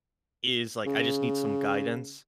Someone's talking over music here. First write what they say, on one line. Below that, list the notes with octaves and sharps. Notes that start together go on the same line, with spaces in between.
is, like, I just need some guidance.
C#3